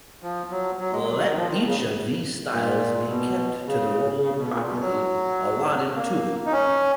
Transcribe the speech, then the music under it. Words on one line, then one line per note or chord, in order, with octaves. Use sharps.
Let each of these styles be kept to the role properly allotted to it.
F3
F#3
F#3
G#3
F#3
D#3
F3
D#3
C#3
A#2
B2
C#3
C#3
B2
A#2
B2
F#3
A#3
D#4
C#4